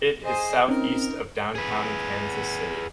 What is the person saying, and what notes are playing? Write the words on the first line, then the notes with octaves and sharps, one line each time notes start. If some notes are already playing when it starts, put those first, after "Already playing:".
It is southeast of downtown Kansas City.
G#4 C5 D#5 G#5
C4 C#4 D#4 A#4
G#4 B4